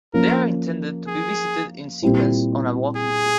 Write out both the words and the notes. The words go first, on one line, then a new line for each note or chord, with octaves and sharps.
They are intended to be visited in sequence on a walking tour.
F3 A#3 C#4 A#4
G#4
A#2 G3 C4 E4
G#4